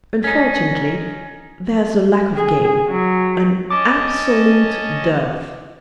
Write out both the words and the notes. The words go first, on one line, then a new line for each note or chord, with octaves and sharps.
Unfortunately, there's a lack of game, an absolute dearth.
C#4 D#4
G#4
F#3
C#4 D#5 A5 D6